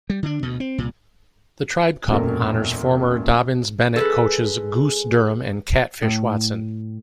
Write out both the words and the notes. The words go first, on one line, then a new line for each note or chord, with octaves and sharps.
The Tribe Cup honors former Dobyns-Bennett coaches "Goose" Durham and "Catfish" Watson.
G3
D3 D4
D2 B2
C4
C2 A#2
E1 F#2 A#2 A4 A#4
G#3 A4 B4 D#5
A2